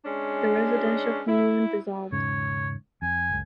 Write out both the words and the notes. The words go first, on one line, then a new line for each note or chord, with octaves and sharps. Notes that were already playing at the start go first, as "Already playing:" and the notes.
The residential commune dissolved.
G#3 C#4 D4 C#5
E4
E1 G#2 C#3 C#5
F2 G#5
F#1 C#2